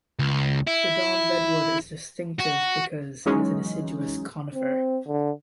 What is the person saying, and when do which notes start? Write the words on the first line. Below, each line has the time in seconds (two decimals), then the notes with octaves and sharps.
The Dawn Redwood is distinctive because it is a deciduous conifer.
0.19 C#2
0.67 E4
2.39 F#4
3.26 E3 F#3 G#3 C#4 D#4
4.54 C4
5.07 D3